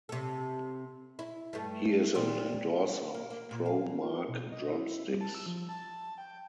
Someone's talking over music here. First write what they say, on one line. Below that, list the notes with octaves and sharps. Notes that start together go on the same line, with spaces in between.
He is an endorser of Pro-Mark Drumsticks.
C3 A4
E4
G2 A3
A#2 C4
A#3
A#3
A#2
F5
F4
B2
D#5
E4
G3
A5
E6
F3
A5
G5